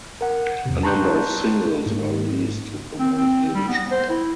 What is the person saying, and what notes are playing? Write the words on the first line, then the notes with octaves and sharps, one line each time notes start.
A number of singles were released to promote ‘’David Shaw’’.
A#4 F#5
E2 G#2 C3
A5 A#5 C6 C#6 F#6 G6
G#2 A#3
C4
C4
G3
B3
C5
E4